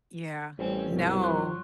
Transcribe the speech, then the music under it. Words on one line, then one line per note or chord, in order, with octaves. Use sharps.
Yeah. No.
A1 G3 C4 C#4
C2 G2 B2 F#3
F3 C6 C#6 F#6